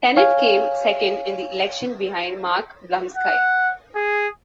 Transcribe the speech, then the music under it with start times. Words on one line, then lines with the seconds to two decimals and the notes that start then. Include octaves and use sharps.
Tennet came second in the election behind Mark Blumsky.
0.17 C#5 F5 G#5
3.17 F#5
3.96 G#4